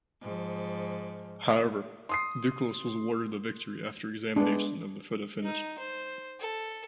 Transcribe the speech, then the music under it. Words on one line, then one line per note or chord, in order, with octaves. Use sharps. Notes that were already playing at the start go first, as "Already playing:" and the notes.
However, Duclos was awarded the victory after examination of the photo finish.
G#2 F3
C6 D#6 C7
G#3 B3 D4
D#4
C5
A4